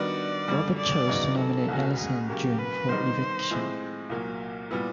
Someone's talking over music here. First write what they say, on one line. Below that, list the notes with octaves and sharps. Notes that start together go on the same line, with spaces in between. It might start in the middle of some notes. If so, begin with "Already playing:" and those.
Robert chose to nominate Alison and Jun for eviction.
Already playing: D#3 G3 B3 D4 F#4 D5
F#2 D3 G3
D5
C#3 F#3 B3 D#4
A4
C2 B2 G#3 C#4 F#4
G#4
C#3 F#3 A#3 G4
B4
D#3 G3 B3 D#4 C5
A2 F3 G#3 C4 E4
C2 A#2 F#3 A#3
A#2 G3 B3 E4